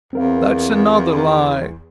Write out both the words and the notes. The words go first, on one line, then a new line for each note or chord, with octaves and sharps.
That's another lie!
E2 C4 A#4 F5